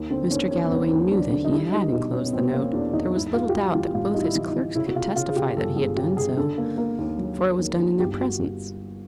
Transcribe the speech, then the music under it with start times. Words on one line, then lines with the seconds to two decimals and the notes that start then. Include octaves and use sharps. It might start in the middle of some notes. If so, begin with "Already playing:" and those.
Mr. Galloway knew that he had enclosed the note; there was little doubt that both his clerks could testify that he had done so, for it was done in their presence.
Already playing: D#2
0.10 D3 C4
0.31 D#2 C#4
0.51 D#2 C#4
0.66 B3
0.71 D#2 C4
0.92 D#2
1.11 F#3 D4
1.32 D3
1.45 D#4
1.52 G3 E4
1.72 G3 D#4
1.93 B2 D#4
2.12 B2 C#4
2.24 B3
2.33 B2 C4
2.49 C4
2.53 A#3 C#4
2.73 E2 D4
2.93 E2 D#4
3.14 G#2 E4
3.34 G#2 F4
3.49 G4
3.54 G3 F#4
3.74 E3 F4
3.94 A1 F4
4.14 G3 D#4
4.22 E4
4.35 E3
4.48 D#4
4.56 E3
4.75 C#3 E4
4.86 F#4
4.96 C#3 F4
5.16 C#3 F4
5.28 G#4
5.36 C#3 G4
5.57 G1 A4
5.76 G1 G#4
5.96 C#3 G4
6.17 C#3 G#4
6.37 D3 A4
6.58 A#3
6.77 A#3 A#4
6.99 D#2
7.18 F#3
7.39 F#3
7.59 D#2
7.79 D#2
7.99 G1 G4
8.20 F#4